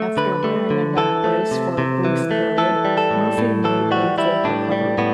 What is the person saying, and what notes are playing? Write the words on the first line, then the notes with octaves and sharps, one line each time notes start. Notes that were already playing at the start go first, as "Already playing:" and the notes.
After wearing a neck brace for a brief period, Murphy made a full recovery.
Already playing: A3
D3 B4
A3
D3
E3 A4
A3
C3
C3
E3
A3
E3 A4
G3
A4
A2
A2
E3 A4
G3 F#4
G3 E4
A2 D4
G3
A2 B3